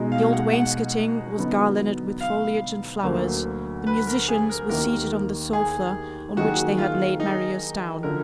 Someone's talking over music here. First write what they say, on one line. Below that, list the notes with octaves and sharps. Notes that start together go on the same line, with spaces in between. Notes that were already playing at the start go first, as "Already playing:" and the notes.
The old wainscoting was garlanded with foliage and flowers; the musicians were seated on the sofa on which they had laid Marius down.
Already playing: B2 G#3 D#4 F#4
F5
F#5
F#5
D3 F#3 B3 D#4
F5
D2 D3 F#3 A#3
B4
A#4
G#4
A#4
D#2 D#3 A#3 A#4
G#4
D#3 F#3 A#3 D#4 F#4 G#4
F4
D#4
D3 F3 A#4